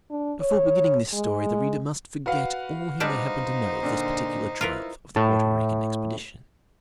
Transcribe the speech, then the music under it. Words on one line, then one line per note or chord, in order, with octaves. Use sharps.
Before beginning this story the reader must forget all he may happen to know of this particular triumph of the Porto Rican Expedition.
D4
C#5
G#3
F#4 B4 F5
G3 G#3 D4 D#4 C5
A#2 D3
E4 F4 A#4 B4
A2 A5